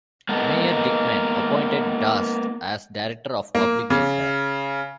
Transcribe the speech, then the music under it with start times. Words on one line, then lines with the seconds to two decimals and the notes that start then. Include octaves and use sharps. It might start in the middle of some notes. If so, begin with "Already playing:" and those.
Mayor Dickmann appointed Darst as Director of Public Welfare.
0.29 A#3 B3 D#4 A4
3.55 A#3
3.90 C#3